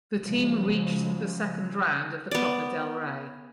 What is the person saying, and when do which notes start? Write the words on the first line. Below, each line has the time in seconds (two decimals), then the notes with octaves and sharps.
The team reached the second round of the Copa del Rey.
0.24 C#3 F3 F#3 G#3
2.31 B3 D5